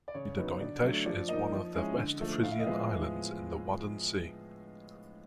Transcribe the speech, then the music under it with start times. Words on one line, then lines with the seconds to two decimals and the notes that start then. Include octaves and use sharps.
Zuiderduintjes is one of the West Frisian Islands in the Wadden Sea.
0.08 D5
0.14 C#3 C#5
0.38 F#3 B3 D#4
0.61 D3 D5
0.83 F#3 A3 D4
1.06 F3 D5
1.29 A#3 D#4 D#5
1.52 F3
1.75 G#3 C#4 E4
1.97 D3
2.20 F3 A3
2.43 A2 F5
2.51 E5
2.59 D#5
2.66 F3 G#3 B3 E5